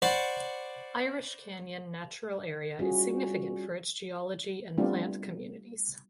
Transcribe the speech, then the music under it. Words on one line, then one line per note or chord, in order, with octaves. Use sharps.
Irish Canyon Natural Area is significant for its geology and plant communities.
C5 D5 F#5 B5 C#6 D6
G3 C#4 F4 F#4 G#4
G3 A3 B3 C4 D4 F4